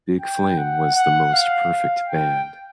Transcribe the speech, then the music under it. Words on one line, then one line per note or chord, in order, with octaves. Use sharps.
Big Flame was the most perfect band.
G5
F#5
F#5
F5
G5